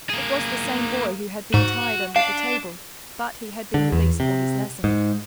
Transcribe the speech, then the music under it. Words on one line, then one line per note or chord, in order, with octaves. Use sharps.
It was the same boy who had been tied under the table, but he had been released for his lesson.
A#3 G#4
G#2 F#4
D4 F5
D3
E2
C3
G#2